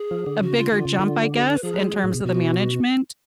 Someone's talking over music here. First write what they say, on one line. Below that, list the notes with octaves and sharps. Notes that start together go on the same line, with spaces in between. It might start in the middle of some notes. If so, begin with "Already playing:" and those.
a bigger jump, I guess, in terms of the management.
Already playing: G#4
F3
D3
C#3 F#4
F4
D3 F4
C#3
D3
F#4
B4
F3 G#4
F#3
G#3
F#3
A2
B2
B2 F#4